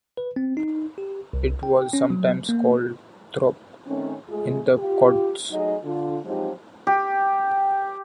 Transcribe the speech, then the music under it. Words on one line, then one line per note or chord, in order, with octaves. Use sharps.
It was sometimes called Thorpe in the Clottes.
B4
C4
D#4
G4
C2
G5
C#4
F#3
A#3
D#3 A3 C4 C#4
G#3 A3 F4 G#4
F4 G4
F#3 A3 D#4 G#4 D#5
D3 F4
F3 F#3 G#3 C4 D#4 G4
G4